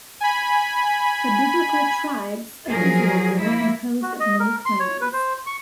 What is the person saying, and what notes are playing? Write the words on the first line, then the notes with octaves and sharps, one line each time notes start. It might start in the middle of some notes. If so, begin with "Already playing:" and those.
The Biblical 'tribes' of Israel were composed of many clans.
G#5 B5
F3 F#3 G#4 A#4
A#3 E4
F#4
D#5
A#4
C6
C#5
B4
C5
C#6